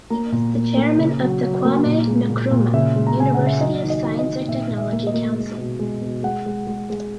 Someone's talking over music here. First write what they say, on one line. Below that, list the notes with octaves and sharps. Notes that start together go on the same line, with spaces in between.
He was the Chairman of the Kwame Nkrumah University of Science and Technology Council.
A#3 A#5
A#2
A#3
A#3
C#3
F#3
F#3
A#3
A#2
G#3
A#2
A#2
C#3 E5
G#3
A#5
C#3 G#5
C#3 F#5
E5
F#3 D#5
D#3
D#5
D#3
D#5
D#3
A#2 E5
A#2
E5
A#3
D#5
A#3
G#3
B2
G#3
B2
G#3 F#5
G#3
G#3
G#3